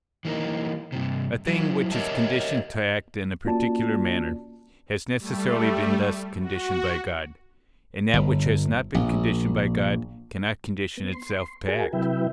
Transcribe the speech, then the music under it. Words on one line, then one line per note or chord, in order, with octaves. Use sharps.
A thing which is conditioned to act in a particular manner, has necessarily been thus conditioned by God; and that which has not been conditioned by God cannot condition itself to act.
E3 A#3 D#4
G2 C3
F#3 E4 F4
G4 A#4 C#5 D#5 E5 A5
A#3 C#4 F4 F#4 D5 A5
G3 A3
F#4
G1
A#1
B3
C6
F#4 G#4 A#4 G#5
C3 F#3 E4 B4 E5 G5